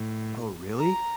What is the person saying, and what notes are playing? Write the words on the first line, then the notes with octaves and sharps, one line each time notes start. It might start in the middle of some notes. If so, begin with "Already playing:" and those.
Oh, really?
Already playing: A2
A#5